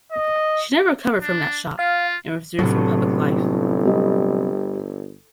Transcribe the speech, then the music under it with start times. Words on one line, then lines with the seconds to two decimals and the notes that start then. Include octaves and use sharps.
She never recovered from that shock, and withdrew from public life.
0.12 D#5
1.22 D4
1.79 F4 F5
2.59 G1 A2 C3 F#3
3.85 G3 D#5